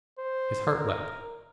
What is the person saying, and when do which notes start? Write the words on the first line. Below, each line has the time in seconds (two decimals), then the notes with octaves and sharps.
His heart leapt.
0.19 C5
0.72 A#4